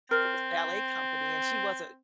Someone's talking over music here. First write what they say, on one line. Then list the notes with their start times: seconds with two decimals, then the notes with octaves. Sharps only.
for this ballet company, and she wasn't,
0.11 C4 A#4